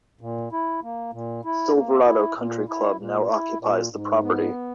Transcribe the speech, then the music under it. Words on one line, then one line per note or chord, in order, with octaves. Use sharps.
Silverado Country Club now occupies the property.
A#2
E4
A#3
A#2
E4
A#3
E4
A#2
E4
A#2
E4
A#2
G#2
B3